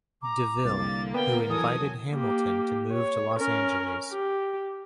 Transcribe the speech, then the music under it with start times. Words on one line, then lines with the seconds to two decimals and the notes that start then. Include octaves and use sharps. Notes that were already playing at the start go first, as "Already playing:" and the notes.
DeVille, who invited Hamilton to move to Los Angeles.
0.22 A#5 D6
0.65 C2 D3 A#3 A6
1.14 B3 A#4 G5
1.49 E2 F#3 A4 G#5 D#6
2.11 A#3 G4
2.92 C#5
3.38 C#4 A#4
4.12 G4